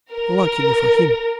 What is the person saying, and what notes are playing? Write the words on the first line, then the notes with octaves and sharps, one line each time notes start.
Luckily for him.
A#4